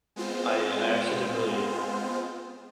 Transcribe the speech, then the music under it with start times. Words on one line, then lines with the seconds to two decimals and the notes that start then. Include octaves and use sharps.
I I actually did really
0.16 G#3 B3 C4 F4 C5